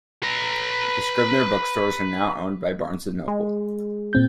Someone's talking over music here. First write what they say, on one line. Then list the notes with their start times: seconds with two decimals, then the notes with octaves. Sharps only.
The Scribner Bookstores are now owned by Barnes and Noble.
0.23 B4 A#5
3.28 G#3
4.13 A#2 C4 G6